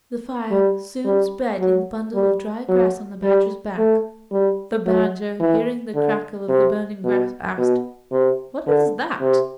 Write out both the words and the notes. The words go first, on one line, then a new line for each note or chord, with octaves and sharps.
The fire soon spread in the bundle of dry grass on the badger's back. The badger, hearing the crackle of the burning grass, asked, "What is that?"
G3
G3
F#3
G3
F#3
G3
A3
G3
F#3
E3
D3
C3
B2
B2
C3
D3
C3